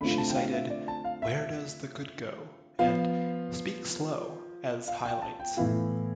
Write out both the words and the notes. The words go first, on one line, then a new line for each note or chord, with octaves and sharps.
She cited "Where Does the Good Go" and "Speak Slow" as highlights.
D3 A3 C4 F4 B5
A5
G5
F5
E5
D5
A5
F5
E5
F3 B3 F4 F5
F5
G5
A5
G5
A2 E3 B3 E4 F5